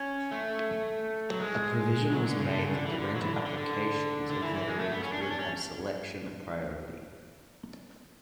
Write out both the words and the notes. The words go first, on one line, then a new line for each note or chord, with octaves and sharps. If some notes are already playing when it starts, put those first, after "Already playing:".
A provision was made that the rental applications of veterans would have selection priority.
Already playing: C#4
A3
F#3
G#3
F#3
D3
C#3
D3
C#3
D3
E3
D3
F#3
E3
D3
D3
D3
D3
E3
E3
G#3
A3
B3
C#4
D4
C#4
D4
C#4